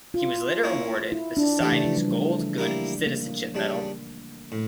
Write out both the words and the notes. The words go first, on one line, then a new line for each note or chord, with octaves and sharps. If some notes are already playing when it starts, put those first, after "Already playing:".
He was later awarded the Society's Gold Good Citizenship Medal.
F4
A#3 C#4 E4 A#4 C#5
E4
D4
E3 A3 D4 G4 D5
C#3
F3
G3
A3
A#3 E4 G4 A#4
A#3
C#3 G3 D4
A2